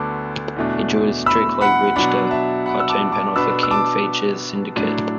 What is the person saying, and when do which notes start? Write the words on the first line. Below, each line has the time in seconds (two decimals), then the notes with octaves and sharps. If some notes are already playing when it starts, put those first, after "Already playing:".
He drew his "Strictly Richter" cartoon panel for King Features Syndicate.
Already playing: D2 D3 B3 A5 D6
0.56 E2 B2 A3 D4
1.26 B5 E6
1.61 F#5 B5
1.96 B2 F#3 D4 F#5 B5
2.31 E5 A5
2.66 F#5 B5
2.80 E6
2.89 A5 D6
3.12 A5 D6
3.36 B2 B3 D4 B5 E6
3.63 E6
3.71 A5 D6
4.76 A2 F#3 D4